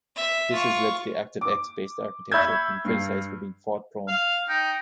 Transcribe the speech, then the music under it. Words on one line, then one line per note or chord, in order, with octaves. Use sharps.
This has led to the ActiveX-based architecture being criticized for being fault-prone.
E5
F4 C#6
D6
E5 B5 C#6 E6 G6 G#6
G2 C7
F5
D#4 G5